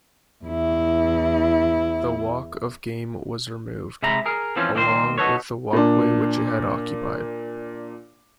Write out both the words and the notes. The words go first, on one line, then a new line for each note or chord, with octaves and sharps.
The Walk of Game was removed, along with the walkway which it had occupied.
E2 E4
C3 G#3 E5 A#5 B5
G#4 A#4
E3 F3 C4 C#4
C2 D#3 A#3 C4 C5
D#4 F#4 A4 B4 C#5
A#2 D4